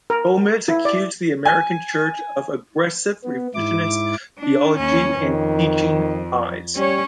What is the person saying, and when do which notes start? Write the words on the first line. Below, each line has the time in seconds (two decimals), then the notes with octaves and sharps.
Gomez accused the American church of "aggressive revisionist theology" and teaching lies.
0.10 A#4
0.68 E4
0.85 D5
1.45 G#5
3.24 B3
3.55 G#2 E4 D6
4.38 D4
4.76 D#2 C#4
5.20 F2 D#3
6.76 G3 C#4 C#5